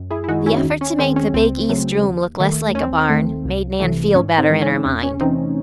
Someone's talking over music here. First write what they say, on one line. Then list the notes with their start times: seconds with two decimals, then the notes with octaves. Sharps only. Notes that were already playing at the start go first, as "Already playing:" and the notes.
The effort to make the big east room look less like a barn made Nan feel better in her mind.
Already playing: F#2
0.11 E4 G#4
0.24 E4
0.28 D#3 G#3 D#4 F#4
0.46 C#4 E4
0.64 D#2
0.81 C#4
0.99 D#3 G#3 C4
1.16 C#4
1.34 C#2 C4
1.69 C#3 F#3 A3
2.04 D#2
2.40 D#3 A3
2.75 D#2 C#4
2.83 C4
2.99 C4
3.09 D#3 A3
3.45 C2
3.80 C3 E3 A3
4.15 G#2 C#4
4.38 C4 D#4
4.50 E3 G#3
4.62 C#4
4.85 E2 C#4
5.03 C#4
5.21 C3 E3 A3 C4 D#4